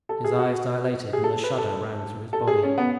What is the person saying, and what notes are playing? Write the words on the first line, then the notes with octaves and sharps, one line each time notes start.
His eyes dilated and a shudder ran through his body.
A4
G#4
F#4
G#4
A4
B4
A4
A4
G#4
C#4
B3